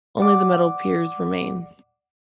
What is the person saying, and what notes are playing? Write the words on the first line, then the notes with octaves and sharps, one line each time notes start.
Only the metal piers remain.
D5 F#5 D6